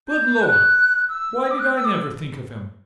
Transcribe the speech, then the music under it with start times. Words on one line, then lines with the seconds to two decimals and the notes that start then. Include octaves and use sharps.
Good Lord!--why did I never think of him?
0.08 G6
0.42 F#6
1.09 E6
1.42 E6
1.51 D6
1.59 F#6
1.76 E6
1.85 D6
1.93 E6